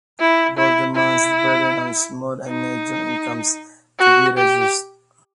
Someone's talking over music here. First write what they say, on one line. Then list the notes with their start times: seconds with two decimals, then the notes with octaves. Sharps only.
Volt demands the burden on small and medium incomes to be reduced.
0.20 E4
0.57 E4
0.95 E4
2.48 D#4
3.99 F#4
4.37 G4